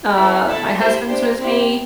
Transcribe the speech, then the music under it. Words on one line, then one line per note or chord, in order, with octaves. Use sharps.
Uh, my husband's with me,
C4 E4 A4
A3 E4 A4 E5 A5
E4 G4 C5 E5
D4 G4 C5
C4 E4 G4